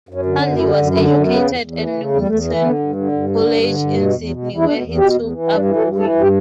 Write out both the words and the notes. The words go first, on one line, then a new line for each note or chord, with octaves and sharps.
Hardy was educated at Newington College in Sydney where he took up rowing.
F#2
C#4
D3
C#4
F#2
D3 E4
F#2
D3 E4
F#2 C#4
C#3 B3
E2
E2
E3
C#3
E2
G3
E2 A3
E3
D3 B3
G2
D3
G2
D3
G2
D3
G2
B2
E2
B2
E2
E4
B2 D4
E2
B2 G4
E2
E3
G2
D4
E3
A4
G2
E3 A4
G2
G4